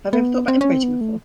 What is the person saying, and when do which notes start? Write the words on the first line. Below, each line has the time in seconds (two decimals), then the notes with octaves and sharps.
Have you ever thought about emigrating before?
0.13 B3
0.48 C4
0.61 C#4
0.72 C4
0.83 B3
1.01 A3